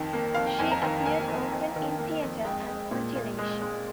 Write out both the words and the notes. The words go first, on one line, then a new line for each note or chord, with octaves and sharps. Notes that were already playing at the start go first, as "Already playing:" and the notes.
She appeared often in theatre and on television.
Already playing: F2 D#3
A#3
F2 F5
G5
F2 G#5
A#5
D#3
A#3 G#5
F2
F2
D#3
A#3
F2
G#3 G5
G#3
A#2
A#2
G#3
G#3